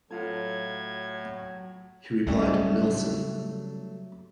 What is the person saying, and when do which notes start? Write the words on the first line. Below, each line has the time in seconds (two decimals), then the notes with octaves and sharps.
He replied, "Nilsson".
0.11 A2 F#3 F4 A4 G#6
2.27 C#3 F#3 G3 A3